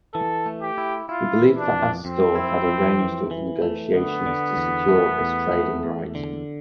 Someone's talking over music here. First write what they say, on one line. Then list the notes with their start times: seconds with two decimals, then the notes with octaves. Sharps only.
He believed that Astor had arranged all the negotiations to secure this trading right.
0.14 E3 A4
0.46 A3
0.62 G4
0.78 E4
1.09 E4 F4
1.41 E3
1.57 D4
1.72 F2
2.04 F2 C4
2.35 E4
2.67 F2
2.99 E3
3.31 E3
3.62 A3
3.94 D3 B3
4.26 D3
4.57 E2
4.88 A3
5.20 E2
5.52 A3
5.84 E2
6.15 D3